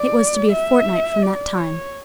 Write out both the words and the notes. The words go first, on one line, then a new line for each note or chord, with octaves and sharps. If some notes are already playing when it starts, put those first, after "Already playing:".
It was to be a fortnight from that time.
Already playing: D5
E5
D5
C#5